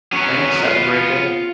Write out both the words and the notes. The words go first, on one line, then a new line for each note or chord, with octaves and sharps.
Thanks, have a great day.
F#3 B3 C#4 G#4
F4 F5